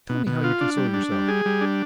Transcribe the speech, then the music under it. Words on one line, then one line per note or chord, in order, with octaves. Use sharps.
"Tell me how you console yourself."
B2
B2
F4
D4
G3
D4
G3
G#4
G3
D4